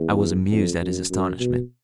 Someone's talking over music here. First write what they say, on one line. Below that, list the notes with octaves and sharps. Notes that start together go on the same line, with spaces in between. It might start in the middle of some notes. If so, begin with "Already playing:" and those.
I was amused at his astonishment.
Already playing: E2
F2
F#2
F#2
B2